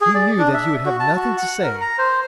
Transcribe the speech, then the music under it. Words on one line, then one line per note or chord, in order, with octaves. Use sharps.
He knew that he would have nothing to say.
G#4
D5
D4
E5
F#4
A5
F#4
F#5
A#4
A#5
C5